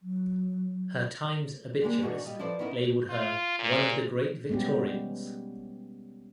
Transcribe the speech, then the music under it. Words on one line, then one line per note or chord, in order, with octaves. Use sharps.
Her "Times" obituarist labelled her "one of the great Victorians".
F#3
D3 G3 G#3 A#3 G4
D#3 E3 D4 D#4 F#4 G#4
G3 F4 D#5
F3 E4 A4 B4 C5 D5
B3 C#4 D#4 E4 G4 A#4
F4
A#2
G3 G#3 B3 C#4 G4